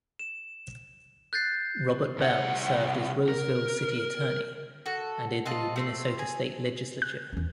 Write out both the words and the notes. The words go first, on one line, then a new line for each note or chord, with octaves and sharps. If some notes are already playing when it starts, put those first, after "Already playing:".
Robert Bell served as Roseville City Attorney and in the Minnesota State Legislature.
E7
F#6 G6 A6 C7
C2 F#5
A#4
F#4 A4
C4 F4 D#5 A5
A3 C4 C6
G#4
F#6
E2 C#4